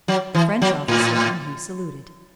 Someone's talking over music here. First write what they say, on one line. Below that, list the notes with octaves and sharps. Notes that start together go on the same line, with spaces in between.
The French officer and he saluted.
F#3
E3
F#3
A2